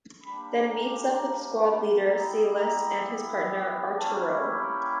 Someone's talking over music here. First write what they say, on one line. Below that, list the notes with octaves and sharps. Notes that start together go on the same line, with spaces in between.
Then meets up with squad leader, Silas and his partner Arturo.
G3 A#3 D4 G4 B5
A#5
A#5
B5
B3 E4 G4 A#5
A#5
G3 A#3 C#4 E4 G4 A5
B5